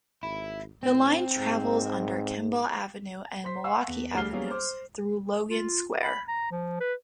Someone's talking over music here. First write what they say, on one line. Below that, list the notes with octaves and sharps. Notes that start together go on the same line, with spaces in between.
The line travels under Kimball Avenue and Milwaukee Avenues through Logan Square.
G#1 E4
A2 C4
G#2
C5 C6 B6
F5 F#5 G#5 C6 C#6 E6
E2
D2 G3 G#4 F6 C7 G7
F#3 G3 A#3 B3 C#4 G#4
C5 D6
F4
B5
A#5
F3
B4